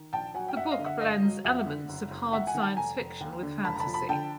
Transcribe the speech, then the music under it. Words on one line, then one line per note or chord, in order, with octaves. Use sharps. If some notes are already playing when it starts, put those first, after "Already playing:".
The book blends elements of hard science fiction with fantasy.
Already playing: D#3
A#1 G5 A5
F#3 F#5 G#5
G5
F#2 E5 F#5
D#5 F5
D3
E5 F#5
G1 D#5 F5
F#3
F2 E5 F#5
D3
F#1
F#1
D#2 E5 F#5
F#5 G#5
D#3
G5 A5
F1 G#5 A#5
F1
D#2
D3
F1 A5 B5
A#5
A5 B5
F3
A5 B5
D3 G5 A5